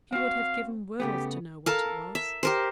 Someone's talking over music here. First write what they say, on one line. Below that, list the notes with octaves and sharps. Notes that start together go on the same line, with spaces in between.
She would have given worlds to know what it was.
C4 F#4 F5
C#3 A3 B3 G4
A4 A#4 F5
E5
G4 A#4 C5